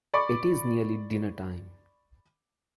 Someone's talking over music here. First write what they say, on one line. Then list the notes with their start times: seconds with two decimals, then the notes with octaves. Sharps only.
It is nearly dinner-time.
0.14 D5 B5 C#6 D6